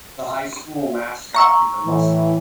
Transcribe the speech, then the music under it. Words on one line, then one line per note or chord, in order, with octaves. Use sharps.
The high school mascot is the Mustang.
A#5 C#6 E6
A2 E3